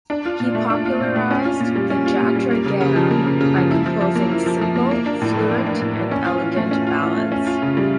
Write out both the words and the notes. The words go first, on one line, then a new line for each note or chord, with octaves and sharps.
He popularized the Jatra Gan by composing simple fluent and elegant ballads.
D4
F4
A#2
A3
D4
F4
A#2
A3
C#4
F4
A#2
G3
C#4
F4
A#2
G3
A#3
C#3
C#3
F3
A#3
C#3
C#3
F3
E4
F3
F3
A#3
E4
F3
F3
A#3
A#3
D4
A2
E3
A#3
D4
A2
E3
C#4
F4
E3
A3
C#4
F4
E3
A3
C#4
F4
C#3
G3